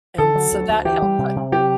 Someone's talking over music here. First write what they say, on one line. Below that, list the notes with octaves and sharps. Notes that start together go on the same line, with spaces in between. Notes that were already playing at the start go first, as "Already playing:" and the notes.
And so that helps, I
D3 A4
F#3
D2
D2
E3 G4
G3
C3
C3
F#3 G4